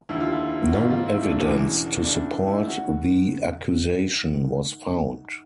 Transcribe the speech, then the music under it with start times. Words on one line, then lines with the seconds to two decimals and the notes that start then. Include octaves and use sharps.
No evidence to support the accusation was found.
0.09 F1 D#2 D3 E4
0.20 F4
0.32 E4
0.64 F#4
0.73 A1 G#2 D#3 F4
0.90 F4
1.06 E4
1.22 D4
1.39 E1 E2 C#3 E3
2.03 D2 C#3 E3 D4
2.47 E4
2.68 D#3 F#4